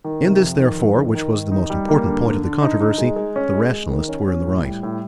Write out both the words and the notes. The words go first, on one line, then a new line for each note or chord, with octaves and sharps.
In this, therefore, which was the most important point of the controversy, the rationalists were in the right.
D#3
C3
F2
D#3
F2
D#3
D#3
D#3
D#4
G3
A#3
D3
D3
D3
D#4
D#4
G#3
G#3
C#4
G#3
G#3
D#3
C#4
C#4
A2
G3
A2